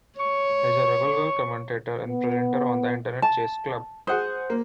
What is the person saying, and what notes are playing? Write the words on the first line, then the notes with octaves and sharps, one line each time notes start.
He is a regular commentator and presenter on the Internet Chess Club.
C#5 C#6
B3
A5
G#4 C5 F#5 D#6
A#3